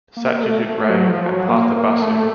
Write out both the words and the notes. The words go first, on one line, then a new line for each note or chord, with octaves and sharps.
Satyajit Ray and Partha Basu.
A#3
A3
A3
F#3
F3
F#3
A#3
A#3
A3